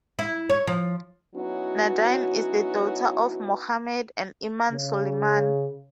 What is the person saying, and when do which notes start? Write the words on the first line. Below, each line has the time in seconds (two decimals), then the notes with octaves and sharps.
Nadine is the daughter of Mohamed and Iman Soliman.
0.19 E4
0.50 C#5
0.67 F3
1.35 F#3 B3 C#4 D#4 E4 F#4
4.71 C#3